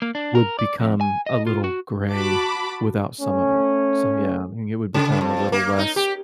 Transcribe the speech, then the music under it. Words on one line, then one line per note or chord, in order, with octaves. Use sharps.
would become a little gray without some of it. So, yeah, I mean, it would become a little less
A#3
D4
A#4
D5
F2
G#5
D#5
F4
F#4
F#4 A5 B5 D6
A3 C#4
C#3
F2
A#3
D#4
G4